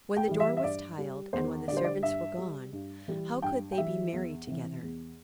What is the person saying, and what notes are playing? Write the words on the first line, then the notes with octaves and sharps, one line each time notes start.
When the door was tiled, and when the servants were gone, how could they be merry together?
G5
E3 G3
E5
E5
G2 D5
G3
E2 C5
D3 G3 C5 D5
D5
G2 E5
G3
G2
E3 G3
G2 G5
G5
E3 G3 E5
E2
C3 E3
E2